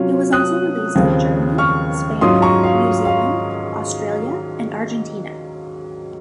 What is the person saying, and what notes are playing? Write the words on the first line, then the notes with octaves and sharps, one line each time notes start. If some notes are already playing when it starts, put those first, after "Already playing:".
It was also released in Germany, Spain, New Zealand, Australia and Argentina.
Already playing: C3 F#3 C#4 F4
D#6 F#6
D#2 C#3 F3 C4 F4
C#6 F6
G#2 F#3 C#4 F4 C6 D#6
A#5 C#6
F5
F5